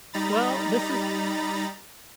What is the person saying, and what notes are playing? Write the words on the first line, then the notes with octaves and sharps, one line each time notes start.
Well, this has
G3 D#4 A#5 B5 A6